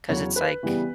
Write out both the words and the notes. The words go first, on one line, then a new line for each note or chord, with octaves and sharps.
'Cause it's like
E2 C#3 F#3 C#5
B4
C#3 E3 G3 B3